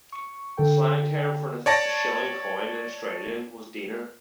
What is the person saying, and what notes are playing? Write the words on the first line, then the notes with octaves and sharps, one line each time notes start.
The slang term for a shilling coin in Australia was "deener".
C#6
D3 A4 G5
C#5 D5 A5 A#6